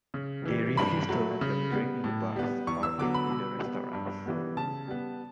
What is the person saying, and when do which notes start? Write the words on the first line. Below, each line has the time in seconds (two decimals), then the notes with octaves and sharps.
They refuse to let them drink in the bars or eat in the restaurants.
0.14 C#3
0.45 E3 G3
0.77 G2 B5
1.09 F#3 A3
1.41 C#3
1.72 G3 B3
2.04 A2
2.36 G3 B3
2.67 E2 C#6
2.83 E6
2.99 D3 F#3 B3 D6
3.14 B5
3.30 B2
3.61 G3 B3
3.93 G2
4.26 E3 G3 B3
4.57 C#3 A5
4.88 G3 B3